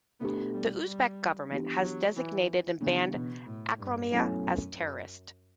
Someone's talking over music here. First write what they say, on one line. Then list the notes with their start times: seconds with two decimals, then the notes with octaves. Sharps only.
The Uzbek government has designated and banned Akromiya as terrorist.
0.20 B2 A3 B3 D4 G4
0.53 G3
0.86 G3
1.51 E3 B3 D4 G4
1.83 F#3
2.16 E3
2.81 C#3 E3 B3 D4
3.14 B2
3.46 A2
3.79 G2
4.12 B2 F#3 A3 C#4 E4
4.44 F#2
4.77 F#2